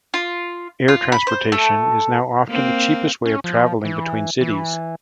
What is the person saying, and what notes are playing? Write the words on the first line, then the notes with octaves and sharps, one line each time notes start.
Air transportation is now often the cheapest way of travelling between cities.
F4
F4
B5
C5
A3
A#3 C4
C#4
F3
E3
E3